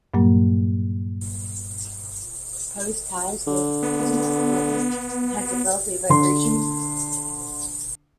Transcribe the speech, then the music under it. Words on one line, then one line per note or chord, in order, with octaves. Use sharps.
Prost's tires were picking up rubber and had developed a vibration.
G2 A#2 F#3 G3 A#3
D3
B3
D3 C6